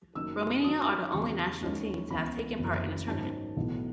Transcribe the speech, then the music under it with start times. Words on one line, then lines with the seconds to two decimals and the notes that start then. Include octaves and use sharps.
Romania are the only national team to have taken part in the tournament.
0.15 F#1 F#2 D#3 E6
0.63 F#2 D#3 F#3 C#4 D#6
1.12 E2 C#3 F#3 C#6
1.61 D#2 D#3 G#3 C#4
2.10 C#2 C#3 E3 B3 B5
2.58 F#1 F#2 C#3 E3
3.08 G#2 D#3 F#3 C#4 A5
3.57 B1 A2 E3 B3